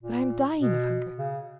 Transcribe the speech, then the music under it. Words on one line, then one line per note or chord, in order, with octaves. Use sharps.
But I am dying of hunger.
A#2
B2
C#3